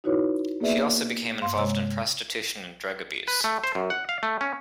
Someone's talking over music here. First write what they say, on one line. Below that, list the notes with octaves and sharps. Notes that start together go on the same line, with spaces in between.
She also became involved in prostitution and drug abuse.
D#4 E4 F#4 B4 C#5
A#3 B3 G#4 B4 D5 E5
G2 F5 C6
C3 G#3 C#5 E6
B4
A3
C5
F#2
F#5
F5
A3
C#4